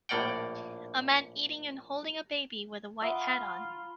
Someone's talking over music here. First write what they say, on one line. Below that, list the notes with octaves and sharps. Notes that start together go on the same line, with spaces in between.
A man eating and holding a baby with a white hat on.
A#1 A2 A#3 D5 F#5 G5
F4 E5 F#5 A#5 B5 D#6 F6 G7